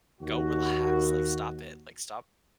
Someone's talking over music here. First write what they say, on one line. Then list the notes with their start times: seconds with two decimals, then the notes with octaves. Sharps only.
go relax. Like, stop it. Like, stop
0.21 D#2 F#4